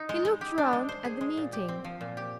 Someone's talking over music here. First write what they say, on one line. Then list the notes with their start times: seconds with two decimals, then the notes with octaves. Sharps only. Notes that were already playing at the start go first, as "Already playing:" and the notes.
He looked round at the meeting.
Already playing: D#4
0.09 G#3
0.25 G#3
0.41 G4
0.58 D4
0.73 G#3
0.89 C5
1.05 G#4
1.21 G#3
1.37 A#2
1.53 G4
1.68 C4
1.84 F3
2.01 A#2
2.17 G4